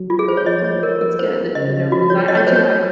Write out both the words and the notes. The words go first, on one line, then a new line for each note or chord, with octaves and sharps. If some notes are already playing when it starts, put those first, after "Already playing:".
Well, that's good, that's good that, you know 'cause I I, too, have
Already playing: F#3
F4
G#4
C5
C#5
F3 D#5
C#5
A#4
A#4
C5
C#3 D#5
F3 F#4
C#5
F#3 D#5
C#5
C5
C#5